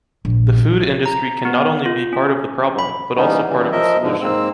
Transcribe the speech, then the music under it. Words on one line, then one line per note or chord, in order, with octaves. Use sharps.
The food industry can not only be part of the problem, but also part of the solution.
A#1
A#5
B3
F4
C#4
B5
E3 G3 A#3 B3 C#4 D#4
C#3 E3 G3
F3 A#4 D#5 E5
G#2 B2 D3 F3
G#2 A#3 C4 E6